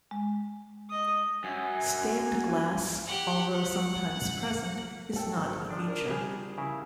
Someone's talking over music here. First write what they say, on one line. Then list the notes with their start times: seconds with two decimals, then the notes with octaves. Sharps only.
Stained glass, although sometimes present, is not a feature.
0.11 G#3
0.90 D#5 D#6
1.44 F#2 G#5
3.05 G4 F#5
3.52 F#5
5.16 A4 G5
5.37 G#1
5.69 F3 D4 D5
5.88 A#4
6.08 G3 G#4
6.58 C#3 E4 A#4